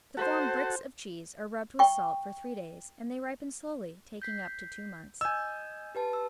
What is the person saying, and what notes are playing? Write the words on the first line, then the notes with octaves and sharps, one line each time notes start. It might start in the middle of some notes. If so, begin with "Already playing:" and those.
The formed "bricks" of cheese are rubbed with salt for three days and they ripen slowly, taking up to two months.
F#4 A4 C5
G5 C#6
G6 B6 C7
D#5 G#5 E6 G6
G4 B4 A5
E6